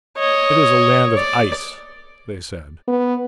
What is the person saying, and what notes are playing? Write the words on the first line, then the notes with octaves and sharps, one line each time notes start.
"It is a land of ice," they said.
C#5 D#5
D5
B3